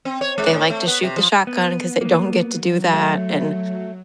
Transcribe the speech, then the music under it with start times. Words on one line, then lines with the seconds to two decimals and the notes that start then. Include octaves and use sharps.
they like to shoot the shotgun 'cause they don't get to do that, and
0.05 C4
0.21 C#5
0.38 G#3
0.53 A2
0.70 A3
0.87 B3
1.03 C3
1.16 F3
1.47 B3
2.01 A#3 B3
2.40 F#3
2.93 A3